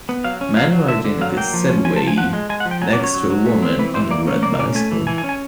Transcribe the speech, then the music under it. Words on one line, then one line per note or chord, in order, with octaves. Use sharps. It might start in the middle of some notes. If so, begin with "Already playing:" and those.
Man riding a Segway next to a woman on a red bicycle.
B3
F#3 F5
C#4
F#3 F5
F#3
D3 E5
D3
F#3 F5
A#3 G5
F3
C#4
F3 G#5
A5
F3
G#5
F3 F#5
G#3
G#3 G#5
F#5
F3
G5
F#3 G#5
D5
C#4
C#5
F#3
F#3
A3
C4
E3 B4
E3 C5
A#3 D5
C#4
A#3 D5
C#4 D5
A3 G#5
E3
E3 G#5
G#5
C#4
G#5